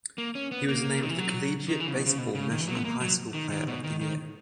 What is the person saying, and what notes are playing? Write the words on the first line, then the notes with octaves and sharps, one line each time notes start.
He was named the "Collegiate Baseball" National High School Player of the Year.
A#3
C#4
B3
A#3
D#3
E3
F#3
D#3
E3
C#3
B2
C#3
B2
C#3
D#3
E3
F#3
B3
A#3
F#3
D#3
D#3
B2
D#3
D#3